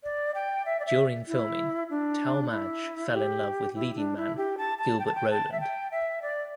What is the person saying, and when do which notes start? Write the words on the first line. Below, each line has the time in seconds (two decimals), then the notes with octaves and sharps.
During filming, Talmadge fell in love with leading man Gilbert Roland.
0.04 D5
0.35 G5
0.66 E5
0.80 D5
0.86 E5
1.28 E4
1.90 D4
2.51 E4
3.14 G4
3.75 E4
3.96 D4
4.17 E4
4.37 G4
4.58 A5
4.78 A5
4.99 G5
5.06 A5
5.15 G5
5.30 A5
5.52 E5
5.60 G5
5.92 E5
6.22 D5